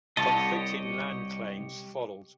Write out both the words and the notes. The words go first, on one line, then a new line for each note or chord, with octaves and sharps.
Conflicting land claims followed.
C2 G4 C#5 D#5 A5